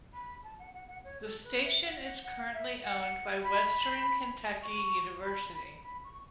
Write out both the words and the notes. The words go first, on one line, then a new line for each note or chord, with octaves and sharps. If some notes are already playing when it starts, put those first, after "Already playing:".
The station is currently owned by Western Kentucky University.
B5
A5
F#5
F#5
F#5
C#5
A4
B4
C#5
E5
F#5
F#5
F#5
E5
F#5
B5
C#6
B5
B5
B5
C#6